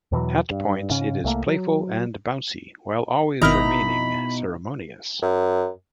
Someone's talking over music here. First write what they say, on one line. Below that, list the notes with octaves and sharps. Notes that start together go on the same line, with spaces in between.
At points it is playful and bouncy, while always remaining ceremonious.
E2 B2 E3 F#3
G2
G#2 C#3 C#4
C2 A3 A#3
F#3
G#1 B2 D#4 E4 A#4 D#5 A#5 B5
F#2